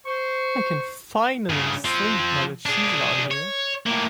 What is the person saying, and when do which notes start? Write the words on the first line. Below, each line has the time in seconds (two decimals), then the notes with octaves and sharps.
I can finally sleep now that she's not here.
0.06 C5 C#6
1.49 G2 C#3
1.85 F3 C4
2.66 D4 G#4
3.31 C#5
3.86 A2 A#3